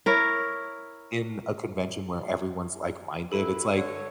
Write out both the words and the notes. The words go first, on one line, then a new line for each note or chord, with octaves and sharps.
in a convention where everyone's like-minded, it's, like,
E4 A#4 C#5
F#2 F#3 E4 A4
D3 C#5